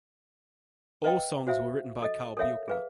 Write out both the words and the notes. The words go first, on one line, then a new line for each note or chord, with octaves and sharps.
All songs written by Karl Buechner.
B4 D#5 F5 G5
F#4 C5 E5 F5
A4 D#5
A4 A#4 C#5 E5 F5
G#4 B4 F5